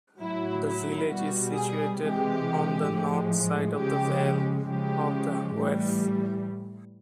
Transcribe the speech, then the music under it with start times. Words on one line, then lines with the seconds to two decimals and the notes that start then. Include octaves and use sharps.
The village is situated on the north side of the vale of the Wharfe.
0.20 A2 F#3 E4
0.65 E4
1.10 B2 G3 F#4
1.54 G#4
1.99 C3 E3 G#3 G4
2.89 A2 F3 G#3
3.77 C#3 F3 G#3 G4
4.67 C#3 F3 G#3 G4
5.57 A2 E3 G3